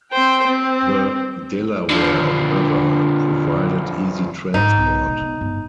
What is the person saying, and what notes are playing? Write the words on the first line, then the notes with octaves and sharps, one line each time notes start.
The Delaware River provided easy transport.
C4 C5 G5
C4
D3 F3
G#2 G#3 D#4
B1
B2 G#3
B3
G1 G#2